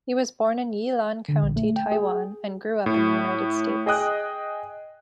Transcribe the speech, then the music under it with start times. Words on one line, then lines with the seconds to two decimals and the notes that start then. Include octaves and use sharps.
He was born in Yilan County, Taiwan, and grew up in the United States.
1.29 D3
1.43 A#1
1.56 A3
1.76 G5
1.92 G#4
2.86 A2
3.86 G#4 D#5 G5 D#6 F#6